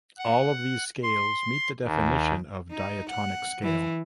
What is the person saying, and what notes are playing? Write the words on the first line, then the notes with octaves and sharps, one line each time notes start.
All these scales meet the definition of diatonic scale.
F#5
C6
D#2
D#4
F#5
E3